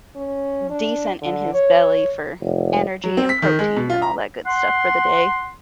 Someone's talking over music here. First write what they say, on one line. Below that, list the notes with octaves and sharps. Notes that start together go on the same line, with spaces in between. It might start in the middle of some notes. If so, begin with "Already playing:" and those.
decent in his belly for energy and protein and all that good stuff for the day.
C#4
D4
D3
C#5
F1
F#3
C4
B6
D#3
G#3
B2
F4
A#5
F#5 C6